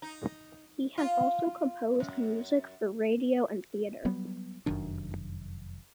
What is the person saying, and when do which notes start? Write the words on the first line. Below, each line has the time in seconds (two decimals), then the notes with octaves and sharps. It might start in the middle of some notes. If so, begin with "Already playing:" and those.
He has also composed music for radio and theatre.
0.02 D#4
0.98 F4
2.00 F#2
4.05 F#3 G3 B3
4.66 F1 F#2 D#3 D4